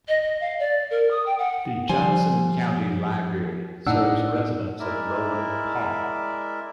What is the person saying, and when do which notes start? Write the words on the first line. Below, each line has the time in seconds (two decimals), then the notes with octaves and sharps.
The Johnson County Library serves residents of Roeland Park.
0.08 D#5
0.22 D#5
0.40 F5
0.60 D5
0.91 A#4
1.11 D#6
1.26 G5
1.39 F#5
1.89 F3 G3 C5 G#5
3.87 A2 D4 D#4 F#5 E6
4.79 G#3 E4 A#4 D5 E5